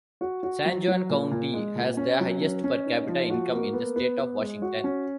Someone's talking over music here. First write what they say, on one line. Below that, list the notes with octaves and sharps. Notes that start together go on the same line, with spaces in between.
San Juan county has the highest per capita income in the state of Washington.
F#4
F#4
F#3
F#3
A#2
A#2
G#3
A#2
C#4
F#3
C#4
C#4
D#4
F3
F#4
A#3
B3
B3
B3
G#3
F#4
C#4